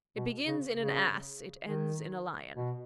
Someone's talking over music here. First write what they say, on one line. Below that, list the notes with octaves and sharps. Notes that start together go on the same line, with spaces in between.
It begins in an ass; it ends in a lion.
B2
C#3
C#3
D#3
B2